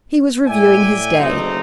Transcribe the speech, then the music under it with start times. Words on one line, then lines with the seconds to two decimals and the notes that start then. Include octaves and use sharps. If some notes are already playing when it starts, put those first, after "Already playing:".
He was reviewing his day.
0.47 A2 D5 E5 G5 G#5
1.18 F#1 D2 B2 C4 D#4